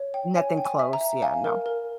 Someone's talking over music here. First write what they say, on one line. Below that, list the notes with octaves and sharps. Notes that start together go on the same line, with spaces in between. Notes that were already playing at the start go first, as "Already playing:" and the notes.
Nothing close. Yeah, no.
Already playing: C#5
G5
C#5 G#5
G5
G#5
E5
A#5
E5
F5 G#5
A#4
A#4